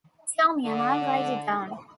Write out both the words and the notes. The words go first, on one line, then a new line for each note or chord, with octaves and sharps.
Tell me and I'll write it down.
D3